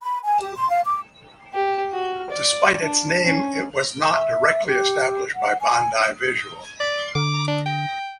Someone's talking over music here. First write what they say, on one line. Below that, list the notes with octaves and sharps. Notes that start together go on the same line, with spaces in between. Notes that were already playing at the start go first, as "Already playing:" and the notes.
Despite its name it was not directly established by Bandai Visual.
B5
G#5
G4
C6
F5
D6
G4
F#4
D5
D4
C#4
E5
G4
F#5
G#5
D5
D3 D6
D4
G5